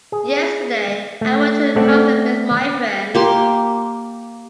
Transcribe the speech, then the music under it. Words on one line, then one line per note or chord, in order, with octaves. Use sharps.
Yesterday I went to a concert with my friends.
G#4
A3
A3 C4 A4 D5 F#5
A#3 G4 C6